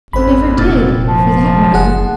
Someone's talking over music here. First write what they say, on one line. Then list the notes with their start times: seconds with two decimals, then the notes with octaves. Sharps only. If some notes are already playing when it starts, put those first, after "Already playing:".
He never did, for that matter.
0.13 G#1 F2 C5 B5
0.57 F1 A#2 A6
1.07 F3
1.74 F#1 G#4 F#5